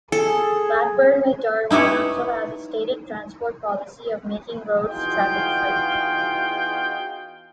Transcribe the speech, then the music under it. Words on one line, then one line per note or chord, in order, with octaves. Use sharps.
Blackburn with Darwen Council has a stated transport policy of "making roads traffic free".
G#4 A4
D#4 E4 G4 B4 C#5
E2 D#4 F4 F#4 G#4 G5